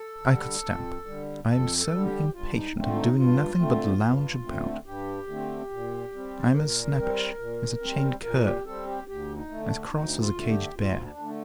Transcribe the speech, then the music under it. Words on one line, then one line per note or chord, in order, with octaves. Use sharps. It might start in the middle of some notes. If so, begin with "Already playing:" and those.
I could stamp, I am so impatient of doing nothing but lounge about; I am as snappish as a chained cur, as cross as a caged bear.
Already playing: A4
D3
G3
F2
D3 G3
F2 A4
A4
D3 G3
G4
G2 F4
D#4
D3 A3 C4
F4
D#4
G2 F4
D3 A3 C4
G2
D3 A3 C4
G2 G4
D3 A3 C4
A#2
G3 C4
D5
C5
A#2 A#4
G3 C4
A#2
G3 C4
A#2 A#4
G4
G3 C4 A4
G4
D2 G4
D#4
D3 A3
D4
D2 D#4
F4
D3 A3
G4
D2 F4
D4
D3 A3